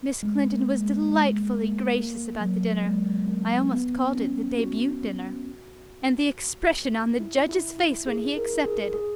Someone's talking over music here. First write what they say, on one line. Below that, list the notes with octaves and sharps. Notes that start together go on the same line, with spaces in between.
Miss Clinton was delightfully gracious about the dinner--I almost called it the debut dinner--and the expression on the judge's face when he accepted!
G#3
A#3
G#3
G#3
A#3
A#3
F#3
G#3
A#3
B3
C#4
F#4
E4
E4
E4
G#4
A#4
G#4
G#4